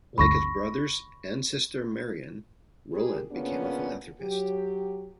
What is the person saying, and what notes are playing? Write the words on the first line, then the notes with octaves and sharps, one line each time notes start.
Like his brothers and sister Marion, Rolland became a philanthropist.
G1 D2 B5 C#6 A#6
G4 G#4 A#4
C#3 A#3 B3 C#4 D4 F4
F#3 G4